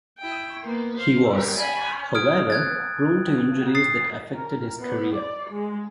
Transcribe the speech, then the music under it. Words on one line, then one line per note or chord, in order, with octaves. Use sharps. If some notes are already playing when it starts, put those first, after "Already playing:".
He was, however, prone to injuries that affected his career.
E4 G5
A#3 B3
C5 F5
G3 A#4
G#5 B5
D#6 F6 G#6 D7
F#6 G#6 A6
D#6 A6 C7
A#4
B3
D5
G#3